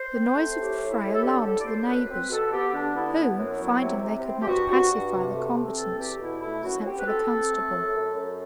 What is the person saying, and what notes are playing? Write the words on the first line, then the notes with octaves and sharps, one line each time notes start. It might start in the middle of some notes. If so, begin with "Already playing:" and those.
The noise of the fray alarmed the neighbors, who, finding they could not pacify the combatants, sent for the constable.
Already playing: C5
C4
A3
A2 G4
A2
E4
A2
A4
D3 G4
D3 A4
D5
F#2 C5
B2 B4
C4 B4
B2 A4
B3 G4
D3 D4
B3 E4
B3
F#2
F#3
C3
C3
C4
G4
G2 F#4
G2 F#4
G2
C3
A3
C4
E2 A4
E2 G4
B2 E4
A3 E4
F#2 F#4
F#4
C4 G4
B4
C4 A4
C4
A3
F#2
F#2
F#2